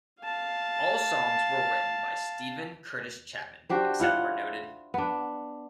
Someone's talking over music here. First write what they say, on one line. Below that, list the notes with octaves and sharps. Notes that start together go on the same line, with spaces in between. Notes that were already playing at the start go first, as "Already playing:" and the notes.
All songs were written by Steven Curtis Chapman, except where noted.
F5 A5
D4 F#4 G4 C5
E4 F4 F#5
B3 D4